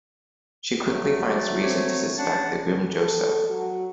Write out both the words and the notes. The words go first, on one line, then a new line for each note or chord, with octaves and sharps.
She quickly finds reason to suspect the groom Joseph.
F#3 G3 A3
D5
C4 C#5
C#4 D4 F#5 A5
A4
F#3 F#4